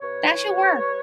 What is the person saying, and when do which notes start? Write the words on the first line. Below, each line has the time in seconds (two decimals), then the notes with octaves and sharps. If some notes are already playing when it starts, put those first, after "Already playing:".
That should work.
0.01 C3 B4 C#5
0.24 E3
0.47 C3
0.71 G3